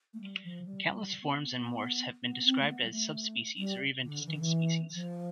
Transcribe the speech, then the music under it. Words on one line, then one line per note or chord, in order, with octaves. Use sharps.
Countless forms and morphs have been described as subspecies or even distinct species.
A3
G3
F3
G3
G3
B3
B3
B3
C4
A3
B3
G3
A3
G3
D3
E3
D3
E3
E3
F3